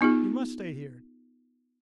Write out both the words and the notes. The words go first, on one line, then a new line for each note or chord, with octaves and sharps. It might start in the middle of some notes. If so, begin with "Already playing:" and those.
You must stay here.
B3 D#4 F4 G#4